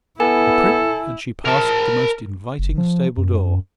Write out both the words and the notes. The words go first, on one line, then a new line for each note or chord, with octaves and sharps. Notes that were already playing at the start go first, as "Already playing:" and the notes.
A prick, and she passed the most inviting stable-door.
B3 E4 A4 G#5
A#4 A5
F#1
F3
F#2